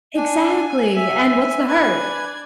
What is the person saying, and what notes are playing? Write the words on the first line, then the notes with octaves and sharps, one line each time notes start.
Exactly, and what's the hurt?
D4 G#5
E5
D4 B4 D5 G#5 G#6